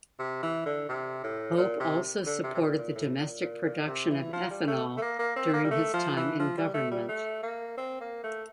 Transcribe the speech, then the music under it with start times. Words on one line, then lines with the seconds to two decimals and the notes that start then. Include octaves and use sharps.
Hope also supported the domestic production of ethanol during his time in government.
0.19 C3
0.43 E3
0.66 D3
0.89 C3
1.24 A2
1.57 A#2
1.80 C3
2.26 D3
2.44 C3
2.55 C3
2.61 A#2
2.78 A#2
2.95 A2
3.19 A#2
3.41 A#2
3.64 A#2
3.87 C3
4.10 E3
4.33 F3
4.50 G3
4.67 A3
4.98 A3
5.02 A#3
5.19 A#3
5.36 C4
5.53 A#3
5.64 G3
5.71 A3
5.94 F3
6.17 E3
6.40 F3
6.57 G3
6.74 A3
6.91 G3
7.08 A3
7.43 A#3
7.78 C4
8.01 A#3
8.24 A3